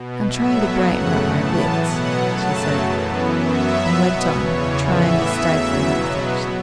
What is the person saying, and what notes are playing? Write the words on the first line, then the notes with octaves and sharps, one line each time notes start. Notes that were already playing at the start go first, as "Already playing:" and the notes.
"I'm trying to brighten up my wits," she said, and went on trying to stifle her affections.
Already playing: B2
A2 F#3 B3 E5
F#2 C#3 A3 F#5
A2 E3 B3 A5
B2 F#3 B3 F#5
F#2 C#3 F#3 A3 A5
F#2 E3 B3
F#2 F#3 B3 E5
B2 B3
E2 C#3 E3 C#5
A2 E3 B3 E5
E2 C#3 F#3
B2 F#3 B3